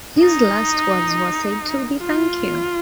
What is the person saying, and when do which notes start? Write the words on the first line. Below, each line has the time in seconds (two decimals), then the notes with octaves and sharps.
His last words were said to be Thank you.
0.19 D#4
1.98 F4